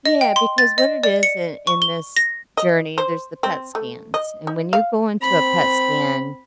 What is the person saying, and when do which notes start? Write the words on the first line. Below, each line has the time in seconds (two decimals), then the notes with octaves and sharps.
Yeah, because what it is i in this journey, there's the PET scans. And when you go into a PET scan,
0.06 D#5
0.21 G5
0.36 C6
0.58 A6
0.78 D#5
1.03 D5
1.23 C#7
1.67 C#6
1.82 G7
2.16 A#6
2.57 D#5
2.98 C5
3.43 C4
3.75 A3
4.14 D#5
4.47 D#4
4.73 F5
5.23 C4 B5